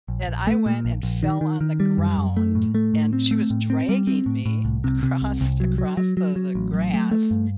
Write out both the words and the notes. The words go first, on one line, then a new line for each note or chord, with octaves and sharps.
and I went and fell on the ground, and she was dragging me across across the the grass,
A#1
A#1
A3
A#2
A#1
A#1
D#3
D#3
D#3
G3
F#2
F#2
A3
A2
A3
A2
C4
A3
A2
C4
G3
C4
A2
A2
C2
C3
C3
C2
C2
F#3
F#3
F#3
F#3
F#3
A1
F#3
A3
A3
G2